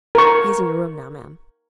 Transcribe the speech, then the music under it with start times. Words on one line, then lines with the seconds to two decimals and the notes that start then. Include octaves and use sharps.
He is in your room now, ma'am.'
0.15 A#4 C#6